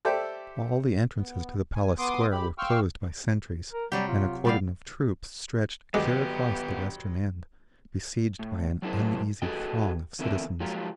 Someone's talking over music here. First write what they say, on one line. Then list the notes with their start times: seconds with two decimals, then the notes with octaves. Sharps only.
All the entrances to the Palace Square were closed by sentries, and a cordon of troops stretched clear across the western end, besieged by an uneasy throng of citizens.
0.05 G4 A4 C5 D5 E5 G5
1.16 B3
1.75 G#5
1.98 B3 C6 D6 D#6
2.31 G#3 G4 B5
2.58 F5 G5 C6 C#6 E6 F6
3.73 A#4
3.92 C3 F#3 G3 G4
4.08 F4
4.45 G3 B3 D5 F5
5.94 G#1 D3 F#3 G#3 B3 G4 D6
8.39 A2
8.82 F#3 D4 E4 G#4 A#4 C5
9.42 F#4 G#4 A4 B4 D#5 G5
10.19 E2 D3 C4 A#4 E5
10.60 F3 F#3 G#3 F4 G4 A#4